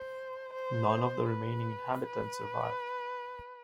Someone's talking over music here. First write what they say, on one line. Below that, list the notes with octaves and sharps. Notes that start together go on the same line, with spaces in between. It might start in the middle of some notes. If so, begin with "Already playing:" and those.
None of the remaining inhabitants survived.
Already playing: C5
C5
B4
B4